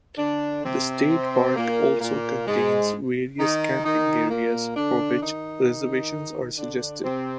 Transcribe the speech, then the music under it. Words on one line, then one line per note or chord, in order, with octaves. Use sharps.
The state park also contains various camping areas, for which reservations are suggested.
D3 D4
C3 C4
A#2 A#3
A#2 A#3
G#2 G#3
D#3 D#4
D#3 D#4
A#2 A#3
D3 D4
D#3 D#4
D3 D4
C3 C4